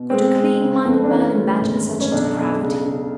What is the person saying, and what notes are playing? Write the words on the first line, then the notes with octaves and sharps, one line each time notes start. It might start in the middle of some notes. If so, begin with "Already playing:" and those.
Could a clean-minded man imagine such depravity?
Already playing: B2
G#3 C4
G#3
C#3
F2
D4
E3 C#4
D2
G#1
F#2
C#4
B1 D4
B1
C#3
C#3